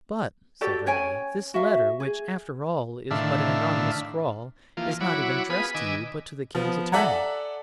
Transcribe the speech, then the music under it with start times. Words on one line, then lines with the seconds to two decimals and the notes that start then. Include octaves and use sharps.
"But," said Renee, "this letter, which, after all, is but an anonymous scrawl, is not even addressed to you, but to the king's attorney."
0.61 F#4 G4 A4 D5
0.86 C#4 C#5 G5 G#5
1.54 F#4 E5 F5
2.00 G#4
3.11 A2 D3 D#3 D4 E5 F5
4.77 E3 F3 A#3 F4
5.01 F#3 E4 C#5 F#5 B5 D6
5.50 B3 F4 G#4 B4 B5 D#6
5.74 D#3 B4 D#5 G#5 D6 E6
6.55 F3 B3
6.92 A4 D5 E5 F#5 G#5 A#5